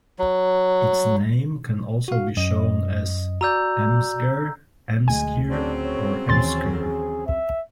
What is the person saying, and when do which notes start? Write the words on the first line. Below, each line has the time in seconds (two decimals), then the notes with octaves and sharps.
Its name can also be shown as Em-sger, Emskir or Emskyr.
0.19 F#3
2.08 F#4 F5
2.37 F#2 D#5
3.41 F#4 D5 A#5 E6 G6
5.08 D1 D2 G#3 A3 G#5
5.49 C#3 F#3 C4 D4
5.84 C#5
6.29 D#2 D#3 E3 C#4 C6 A6
6.82 G#4
7.27 E5